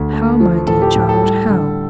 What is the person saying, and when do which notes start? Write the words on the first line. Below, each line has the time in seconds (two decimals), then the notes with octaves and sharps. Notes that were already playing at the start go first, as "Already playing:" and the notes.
"How, my dear child, how?"
Already playing: D2
0.13 A3
0.40 F3
0.67 A2 A4
0.82 G4
0.95 A2
1.09 A4
1.22 G3
1.50 D3